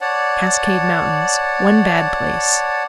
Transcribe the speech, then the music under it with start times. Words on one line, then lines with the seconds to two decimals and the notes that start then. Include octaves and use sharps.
Cascade Mountains.--One bad place.
0.01 C#5 D5 F#5 A5